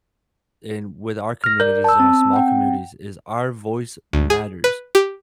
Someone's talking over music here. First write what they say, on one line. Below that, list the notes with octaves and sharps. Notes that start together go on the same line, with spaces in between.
in with our communities, and our small communities, is our voice matters.
F6 A#6
A#4 D5 G6
A5 E6
C4
F#5 G5
D2
G#4
B4
G4